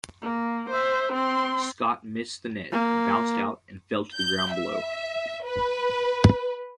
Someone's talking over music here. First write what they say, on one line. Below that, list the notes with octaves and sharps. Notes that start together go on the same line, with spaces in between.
Scott missed the net, bounced out, and fell to the ground below.
A#3
C5 E5
C4 C6
A#3
G6
E5
B4